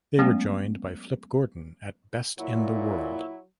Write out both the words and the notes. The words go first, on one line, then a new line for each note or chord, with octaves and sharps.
They were joined by Flip Gordon at Best in the World.
F#3 G#3 A3 B3 C#4
A#2 F#3 E4